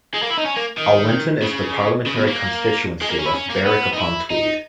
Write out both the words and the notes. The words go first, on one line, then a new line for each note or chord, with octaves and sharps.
Alwinton is in the parliamentary constituency of Berwick-upon-Tweed.
G#3
A#3
E4
D#4
C#4
A#3
D#3
C#3
C#3
B2
A#3
G#3
A#3
C#4
E4
C#4
A#3
B3
D#4
E4
D#4